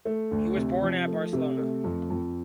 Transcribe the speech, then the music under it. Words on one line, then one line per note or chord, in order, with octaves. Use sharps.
He was born at Barcelona.
A3
D2
C3
F3
A3
C3
A3
F2
F2